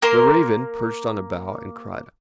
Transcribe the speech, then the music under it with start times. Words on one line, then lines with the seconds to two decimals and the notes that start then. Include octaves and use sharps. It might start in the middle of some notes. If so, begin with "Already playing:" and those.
The raven perched on a bough and cried.
0.02 A#3 A#4 C6